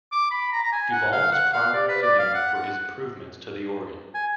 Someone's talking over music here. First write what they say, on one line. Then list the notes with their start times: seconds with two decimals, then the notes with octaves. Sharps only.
Duval is primarily known for his improvements to the organ.
0.12 D6
0.31 B5
0.52 A#5
0.63 A#5
0.72 G#5
0.92 F#5
1.12 F5
1.32 F#5
1.53 F5
1.73 D5
1.89 B4
2.03 D5
2.19 F5
2.34 F#5
2.54 F#5
4.14 G#5